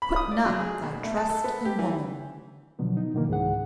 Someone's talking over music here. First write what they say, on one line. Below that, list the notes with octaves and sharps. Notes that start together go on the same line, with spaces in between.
Put not thy trust in woman!
B5
D#6
D5
F#3
G#4
B2
A3
A5
A4
B3
G4
E3
B2 D3 F3 F#3 B3
D#4
G#2 B2 D3 D#3 F3 A#3
C#2 G#2 D3 E3 G#4 F#5